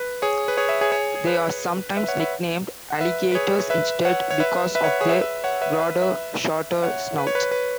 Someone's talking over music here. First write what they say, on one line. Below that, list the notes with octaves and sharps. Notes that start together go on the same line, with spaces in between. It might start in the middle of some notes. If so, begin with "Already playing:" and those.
They are sometimes nicknamed "Alligators", instead, because of their broader, shorter snouts.
Already playing: B4
G#4 C#5
B4
G#4 C#5
B4 E5
G#4 C#5
G#4 C#5
G#4
B4
B4 E5
C#5 F#5
B4 E5
F#5
B4 E5
B4
G#4 C#5
B4 E5
C#5 F#5
C#5
B4 E5
B4 E5
C#5 F#5
G#4 C#5
B4 E5
B4 E5
C#5 F#5
B4 E5
B4 E5
B4
B4 E5
C#5 F#5
B4
C#5
B4
C#5
B4